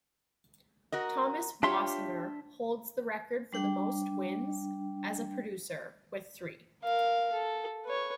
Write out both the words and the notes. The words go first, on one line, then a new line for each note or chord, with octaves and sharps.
Thomas Wasinger holds the record for the most wins as a producer, with three.
F#4 A#4 D#5
D4 F4 G4 C#5 E5 C6
G3 D4 G5
A#4 F5
A4
B4 C#5